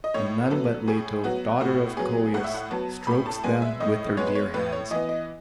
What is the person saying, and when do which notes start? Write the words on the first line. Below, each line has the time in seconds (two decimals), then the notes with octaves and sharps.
And none but Leto, daughter of Coeus, strokes them with her dear hands.
0.04 D#5
0.14 A2 C#5
0.50 F#3 B3 A4
0.88 A2 G#4
1.24 F#3 B3 F#4
1.61 A2 F#4
1.97 F#3 B3 G#4
2.34 A2 F#5
2.44 E5
2.54 F#5
2.71 F#3 B3 A5
3.07 A2 B5
3.26 A5
3.43 G#3 B3 G#5
3.62 E5
3.80 A2 D#5
4.17 G#3 B3 C#5
4.27 B4
4.35 C#5
4.54 A2 B4
4.72 C#5
4.91 E3 B3 D#5
5.09 D#5